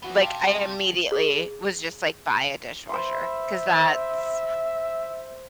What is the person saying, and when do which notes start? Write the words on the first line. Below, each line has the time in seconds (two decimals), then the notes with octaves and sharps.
like, I immediately was just like, "Buy a dishwasher." 'Cause that's
0.02 E3 F#3 B3 F#4 G7
0.21 C3 F5 G5 A5
1.12 G#4
2.89 C5 E5 B5 C6